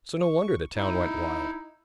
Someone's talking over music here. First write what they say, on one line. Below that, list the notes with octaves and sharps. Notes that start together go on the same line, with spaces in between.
So no wonder the town went wild!
C#6
D#4 E4